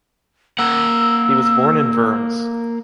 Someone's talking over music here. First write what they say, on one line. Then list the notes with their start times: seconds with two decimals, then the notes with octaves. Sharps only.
He was born in Worms.
0.59 A#3 F#5 E6